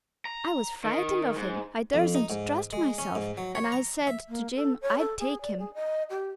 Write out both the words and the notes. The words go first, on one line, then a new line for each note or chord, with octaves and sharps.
I was frightened of him. I duresn't trust myself, and I said to Jim I'd take him.
A#5
D#3
G#2
F2
D#4
G#2
G#3
C#4
G#2
F#3
C#5
A#5
E5
A#3
A4
C#5
A4
G#4
D5
G#4
D#5
G4